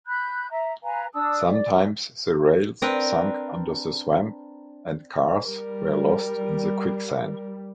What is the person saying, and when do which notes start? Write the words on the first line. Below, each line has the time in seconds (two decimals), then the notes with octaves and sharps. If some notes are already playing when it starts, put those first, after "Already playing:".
Sometimes the rails sunk under the swamp, and cars were lost in the quicksand.
0.07 B5 F#6 G6
0.50 E5 A#5
0.83 B4 F5 G#5 A#5
1.13 D4 A5 D#6 E6
1.47 D5
2.82 C4 D4 A#4 B4
5.44 G3 A#4